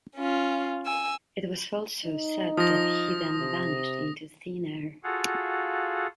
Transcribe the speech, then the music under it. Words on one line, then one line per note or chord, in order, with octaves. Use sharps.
It was also said that he then vanished into thin air.
C#4 F4
G#5 E6
D#4
F3 D#6 A#6
C3
F4 F#4 G#4 A4 F5 F#5